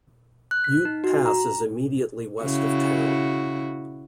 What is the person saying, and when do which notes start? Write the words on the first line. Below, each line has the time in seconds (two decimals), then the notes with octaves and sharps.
Ute Pass is immediately west of town.
0.51 F#6
0.64 B6
0.85 D#4
1.04 F#4
1.26 A#5
2.42 C#3 E4 F#4